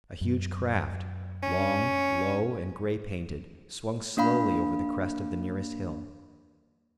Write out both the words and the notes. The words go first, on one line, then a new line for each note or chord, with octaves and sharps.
A huge craft, long, low, and gray-painted, swung slowly over the crest of the nearest hill.
F#2
C#4
A#3 D4 F5 B5